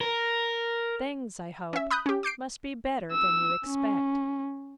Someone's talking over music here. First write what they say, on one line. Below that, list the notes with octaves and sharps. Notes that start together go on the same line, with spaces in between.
Things, I hope, must be better than you expect.
A#4
C#4 E5
B5 D#6 F#6 G6
C#4 G4
D6 G6 C7 D7
E6
C#4